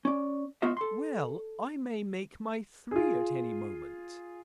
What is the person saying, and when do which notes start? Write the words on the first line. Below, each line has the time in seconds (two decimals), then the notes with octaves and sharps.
"Well, I may make my three at any moment."
0.05 C#4 D5
0.62 A2 B3 F4 F#4 D#5 E5
0.77 A4 C6
2.91 F4 G#4